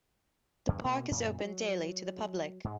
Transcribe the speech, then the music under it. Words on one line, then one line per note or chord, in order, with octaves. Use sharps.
The park is open daily to the public.
E2 G2 D3
B2 A#3
F#2 A#2 C#3
F#3
G#2 G#3